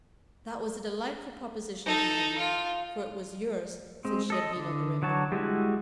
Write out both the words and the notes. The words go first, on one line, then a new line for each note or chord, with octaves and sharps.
That was a delightful proposition to Maggie, for it was years since she had been on the river.
D#4 A4
F4
G#3 C4
A4 D#5
D3
D3 F#3 F#4 A5
G3 G#3 E4 F#4